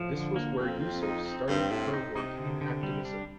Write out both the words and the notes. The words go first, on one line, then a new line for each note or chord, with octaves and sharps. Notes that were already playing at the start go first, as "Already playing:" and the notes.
This was where Yusuf started her work in activism.
Already playing: A2 F3
D3
A#3
F2 C4
C4
D#4
C4
G2 C4
A2 C4
D#4
C3 D#4
D3
D3
G3
D4